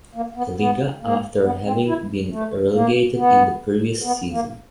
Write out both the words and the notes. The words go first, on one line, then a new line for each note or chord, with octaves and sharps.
Liga after having been relegated in the previous season.
A#3
B3
B3
A#3
B3
C4
E4
A3
A#3
B3
B3
A#3